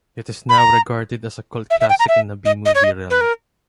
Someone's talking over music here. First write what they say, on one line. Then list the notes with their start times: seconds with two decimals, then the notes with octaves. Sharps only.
It is now regarded as a cult classic in the B movie realm.
0.49 B5
0.58 A#5
1.71 E5
1.81 E5
1.90 G5
2.00 A#5
2.08 E5
2.46 D#5
2.66 D#5
2.75 C#5
2.84 D#5
3.10 B4
3.21 A#4